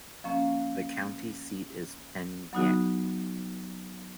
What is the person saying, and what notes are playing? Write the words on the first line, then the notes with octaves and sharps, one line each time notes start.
The county seat is Penn Yan.
F3 A#3 C#4
F#3 B3 D#4 F#4